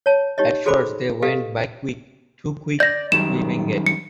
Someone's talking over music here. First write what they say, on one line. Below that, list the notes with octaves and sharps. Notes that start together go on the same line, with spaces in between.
At first they went by quick, too quick to even get.
C#5 A5
D#4 G4 C#5 D#5
F#4 G#4 A4 C5 B5 D6
G4 A4 B4 D#5 F5
D5 G6 A#6
F#2 D#3 G3 E7
C#7